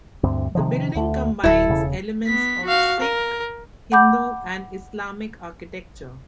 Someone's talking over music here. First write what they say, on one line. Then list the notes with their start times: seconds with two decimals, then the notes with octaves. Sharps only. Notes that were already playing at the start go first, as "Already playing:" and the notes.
The building combines elements of Sikh, Hindu, and Islamic architecture.
0.23 D2 G2 C4
0.55 C3 D#3 F3
0.95 D2 A3
1.43 D1 E4 A4
1.68 E1 C#3
2.27 B3 B6
2.63 F#4 F5
3.00 A#4
3.92 F#5 A5 B5 D6 G6